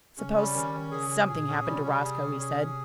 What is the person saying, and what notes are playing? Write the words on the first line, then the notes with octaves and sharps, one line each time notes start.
"Suppose something happened to Roscoe," he said.
C#3 C#4
G3
D#3 C#4
C#4
C#3 G#4
G#4
A#2 G#4
C#4
C3 G3
G3
G#4
C#4
G#4
G#4